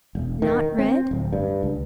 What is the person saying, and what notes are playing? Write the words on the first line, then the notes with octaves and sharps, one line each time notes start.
Not red?
E1
D#3
C4
D1
G2
C#2